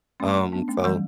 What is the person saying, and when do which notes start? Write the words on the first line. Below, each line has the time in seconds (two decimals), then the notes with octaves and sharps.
Um, so
0.20 A3 C#4
0.52 B3 D4
0.68 A3 C#4
0.77 F#3
0.84 E3 G3